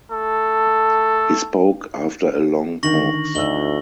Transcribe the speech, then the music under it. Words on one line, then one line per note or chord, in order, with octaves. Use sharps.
He spoke after a long pause.
A3 A4
D3 D#3 C#6 A#6 F#7
D2 D#4 E6 F#7 G7